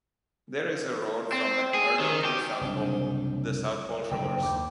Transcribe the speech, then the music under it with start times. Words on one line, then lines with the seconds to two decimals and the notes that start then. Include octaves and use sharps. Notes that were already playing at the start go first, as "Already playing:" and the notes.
There is a road from McMurdo to the South Pole, the South Pole Traverse.
1.32 C4
1.74 G#4
2.00 D#3
2.25 G4
2.61 F#1 C2 D4
4.11 F#1 G2 G5
4.43 D#2 D6 G6